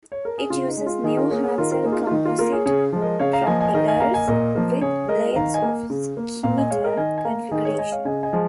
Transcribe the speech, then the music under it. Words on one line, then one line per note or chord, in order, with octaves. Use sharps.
It uses new Hartzell composite propellers, with blades of scimitar configuration.
C#5
A#4
G#4
C#3 F4
D#4
G#3
F4
D#3 D#4 G#4
F4 A#4
A#3 G#4 C#5
G#4 C#5
D#3 F4 A#4
F4 A#4
A#3 D#4 G#4
F4
D#4
F4
D#3 D#4
F4
A#3 F4 A#4
G#4 C#5
C#3 G#4 C#5
F3 G#3
A#4 D#5
C#3 C#5 F5
F5 A#5
F3 A#3 D#5 G#5
D#5 G#5
D#3 A#4 D#5
D#5 G#5
A#3 F5 A#5
D#5 G#5
A#2 A#4 D#5
F3 A#3
C#3 G#4 C#5
G#3 A#4 D#5
D#3 F5 A#5
D#5 G#5
A#3
C#3
A#3
A#2 F5 A#5
D#5 G#5
G#3 C#5 F5
A#4 D#5
D#3 D#5 G#5
G#5
A#3 F5 A#5
D#3 D#4 G#4
G#4 C#5
G#3 D#5 G#5
C#5 F5
C#3 D#5 G#5
D#5 G#5
F3 G#3